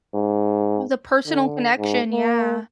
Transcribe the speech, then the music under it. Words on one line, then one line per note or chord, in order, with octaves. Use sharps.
Oh, the personal connection, yeah.
G#2
D3
G#2
A#3